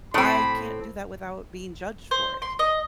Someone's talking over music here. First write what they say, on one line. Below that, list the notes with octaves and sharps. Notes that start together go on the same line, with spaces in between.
I can't do that without being judged for it.
A2 C4 B5
C5
C6
D#5